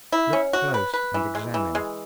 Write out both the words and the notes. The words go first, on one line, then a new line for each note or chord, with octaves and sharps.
"Look close, and examine."
E4
C#4
F#4
B4
B4
E3
G#3
E3
G#3